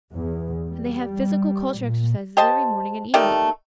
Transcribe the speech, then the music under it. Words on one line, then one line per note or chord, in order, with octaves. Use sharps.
And they have physical culture exercises every morning and evening.
E2
G3
A#2
G4 C5 D#5 A5
D#3 A3 G4 D5